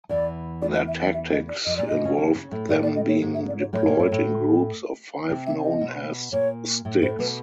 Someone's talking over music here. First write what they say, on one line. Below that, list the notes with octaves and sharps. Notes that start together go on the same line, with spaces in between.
Their tactics involved them being deployed in groups of five known as "sticks".
E2 E3 D5
D5
D#5
E5
D#5
E5
D#5
D5
F2 F3 D#5
A#2 A#3 D5
B2 B3 D#5
C#3 C#4
C#3 C#4
C4
C#3 C#4
A2 A3
A2 A3 D5
D5
D#5
C#5
G#2 G#3
E5
D5
C#5
A2 A3 C#5
A#2 A#3
A2 A3
A2 A3
C3 C4
E5
D#5
B2 B3
A#2 A#3 C#5
A2 A3
A2 A3 C5
B2 B3 B4